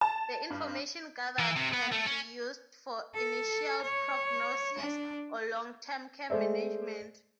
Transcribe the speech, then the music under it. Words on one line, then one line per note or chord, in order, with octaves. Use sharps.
The information gathered can be used for initial prognosis or long-term care management.
A5
G2
E3
C3
B3
A3
C#4
A4
C#5
D4
G#3 A3 C5 D5 E5